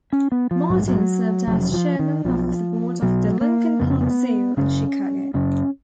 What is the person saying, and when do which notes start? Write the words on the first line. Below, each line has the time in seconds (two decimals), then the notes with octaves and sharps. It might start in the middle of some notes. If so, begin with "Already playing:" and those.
Martin served as Chairman of the Board of the Lincoln Park Zoo in Chicago.
0.13 C#4
0.32 B3
0.51 F3
0.70 A#1 G#2 F#3
0.79 G#3
0.88 F#3
1.47 F1 F2 C#3 F#3
1.73 F3
1.99 D#3
2.25 B1 B2 F3
3.02 B1 B2 F#3
3.41 A#3
3.80 F1 F2 C#3 B3
3.90 C#4
4.01 B3
4.57 F#1 F#2 C#3 C#4
5.34 F#1 F#2 C#3 C#4